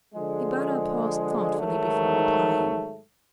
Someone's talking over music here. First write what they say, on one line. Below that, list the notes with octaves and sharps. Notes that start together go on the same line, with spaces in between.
Ibarra paused thoughtfully before replying.
D3 F3 G#3
G#2 D#3 F#3 A3